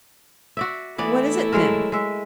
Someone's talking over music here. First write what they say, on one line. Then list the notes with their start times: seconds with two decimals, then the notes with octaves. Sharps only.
"What is it, then?"
0.57 F#4 D5 E5
0.98 E3 A3 B3 E4 D5
1.52 F#3 G#3 A#4
1.92 G#3 E5